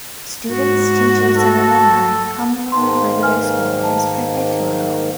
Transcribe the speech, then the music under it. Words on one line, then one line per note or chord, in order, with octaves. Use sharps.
Students, teachers and alumni commonly refer to their school as Perpetuo.
G#2 F#4
A4
G#2 D#3 A#3 A5 C6
B4 G#5 F6
A5